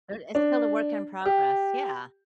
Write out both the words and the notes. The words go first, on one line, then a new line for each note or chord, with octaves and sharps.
But it's still a work in progress, yeah,
D4
G4